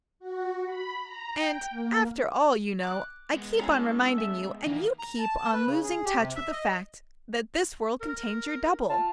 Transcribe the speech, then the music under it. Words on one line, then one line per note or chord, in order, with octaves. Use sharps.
"And, after all, you know--I keep on reminding you, and you keep on losing touch with the fact, that this world contains your double."
F#4
B5
A#5
G5
A#3
D6 F#6
G#3 B3
C#4 E4 G#4 A4 A#5
E5
D#3 E3 A#3 B3
A#5
A5
A5
B4
C#3
G#4
G4
C3
E5
D#5
A#4
F4 A5